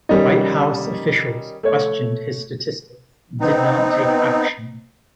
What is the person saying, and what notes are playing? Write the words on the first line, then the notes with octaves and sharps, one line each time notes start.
White House officials questioned his statistics and did not take action.
D#3 G3 C#4 D#4
A3 C#5
B3 C4 D#4